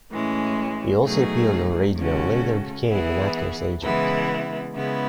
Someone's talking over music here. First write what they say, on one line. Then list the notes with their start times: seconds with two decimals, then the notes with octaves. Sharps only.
He also appeared on radio and later became an actors agent.
0.10 A2 E3 G#3 C#4
1.03 B2 F#3 A3 D#4 G#4
1.96 C#3 G#3 C#4 F#4 A4
2.90 E3 B3 E4 G#4
3.82 C#3 E3 G#3 B3 E4
4.75 C#3 G#3 B3 E4